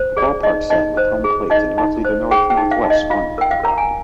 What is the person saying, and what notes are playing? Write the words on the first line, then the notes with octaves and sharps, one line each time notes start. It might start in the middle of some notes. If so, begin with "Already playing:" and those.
The ballpark sat with home plate in roughly the north-northwest corner of the property.
Already playing: C5
G#4 D5
D#4 D#5
D#4 D#5
C5
G#4
D#4 D#5
D#4
C5
G#4 G5
G5
D#4
F5
D#4
D#5
F4 F5
A#4 G5
F5
A#4 A#5
G#5